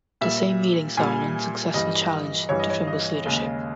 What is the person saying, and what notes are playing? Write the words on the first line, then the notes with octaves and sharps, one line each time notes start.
The same meeting saw an unsuccessful challenge to Trimble's leadership.
A#2 G3 E5
A#2 G3 G#5
G2 E3 G3 D#5
G2 E3 G3 C#5
D#5
C#5
D#5
D#2 C#3 G#3